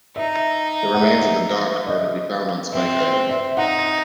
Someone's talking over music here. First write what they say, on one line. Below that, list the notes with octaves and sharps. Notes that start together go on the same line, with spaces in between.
The remains of the dock are to be found on Spike Island.
D#4 E5
F#5
E5
D#5
C4 E5
C5
E5
D#4 F#5